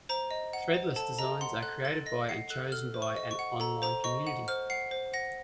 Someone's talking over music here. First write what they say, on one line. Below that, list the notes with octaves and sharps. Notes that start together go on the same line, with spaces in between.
Threadless designs are created by and chosen by an online community.
C5 A#5
D#5
F#5
C5
A4 A5
D#5 A#5
F#5 C6
A4 F#6
A4 A6
D#5 A#6
F#5 C7
A4 F#6
A4 F6
C5
C#6
D#5
C#6
F#5
A4 A#5
C5 A#5
D#5 C#6
F#5
C5 F6
F#5 C7
C5
F#5 A#6